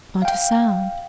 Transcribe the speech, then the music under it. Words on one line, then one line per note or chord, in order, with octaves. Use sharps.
Not a sound.
F5 G5